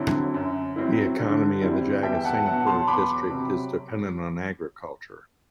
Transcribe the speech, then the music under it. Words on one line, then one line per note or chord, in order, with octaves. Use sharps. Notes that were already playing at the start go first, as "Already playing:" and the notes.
The economy of the Jagatsinghpur district is dependent on agriculture.
Already playing: D3 F#3 C4 E4
F#2
F#3 C4 E4
D3
G3 C4 E4
E2 E5 G5
F#5 A5
B2 F#3 F#5 A5
A5 C6
E2 B5 D6
C3 F#3 C4